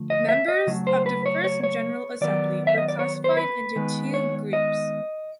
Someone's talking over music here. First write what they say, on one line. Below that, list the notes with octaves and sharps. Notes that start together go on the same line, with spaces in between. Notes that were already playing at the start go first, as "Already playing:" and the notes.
Members of the first General Assembly were classified into two groups.
Already playing: D3 F3 A3
D#5
E5
D#5
C#3 F#3 A3
C5
B4
C#5
C#5
C#5
D#3 F#3 B3 D5
E5
D#5
D5
C#5
C5
B4
D#3 G#3 B3
C#5
D#5